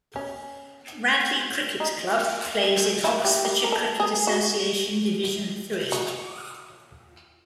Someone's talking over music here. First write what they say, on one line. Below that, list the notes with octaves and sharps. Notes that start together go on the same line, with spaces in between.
Radley Cricket Club plays in Oxfordshire Cricket Association Division Three.
C#4
D#4
C#4
E4
G4
G4
A#4
A4
G#4
F#4
F#4